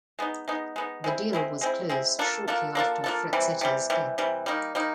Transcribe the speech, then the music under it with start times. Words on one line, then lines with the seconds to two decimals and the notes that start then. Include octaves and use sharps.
The deal was closed shortly after Frazetta's death.
0.19 G#3 B3 D#4
0.48 G#3 B3 D#4
0.76 G#3 B3 D#4
1.04 G#3 C4 E4
1.33 G#3 C4 E4
1.61 G#3 C4 E4
1.89 G#3 C4 E4
2.19 A#3 D4 F4 A4
2.48 A#3 D4 F4 A4
2.75 A#3 D4 F4 A4
3.04 A#3 D4 F4 A4
3.33 C3 E3 G3
3.61 C3 E3 G3
3.90 C3 E3 G3
4.18 C3 E3 G3
4.46 G3 A#3 D#4
4.75 G3 A#3 D#4